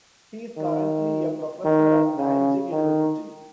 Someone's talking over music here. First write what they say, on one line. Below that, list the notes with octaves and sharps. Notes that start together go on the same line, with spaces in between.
He is currently a professor at Nanjing University.
D#3
D#3
C#3
D#3